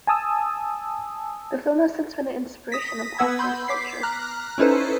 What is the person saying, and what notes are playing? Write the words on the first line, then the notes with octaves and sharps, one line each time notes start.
The film has since been an inspiration in popular culture.
G#5 A5 D#6 E6
D#6 A#6 B6
B3 B4 F#5 E6 G#6
B5 C6 G6
D6 B6 C7
A#5 F6 F#6
C#4 D#4 E4 A4 B4 C5